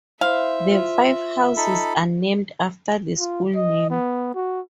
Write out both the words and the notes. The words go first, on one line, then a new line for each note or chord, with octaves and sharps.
The five houses are named after the school name.
E4 C5 E5 F5
F4
D#4 A4 B5
F4
D#5
B3
F#4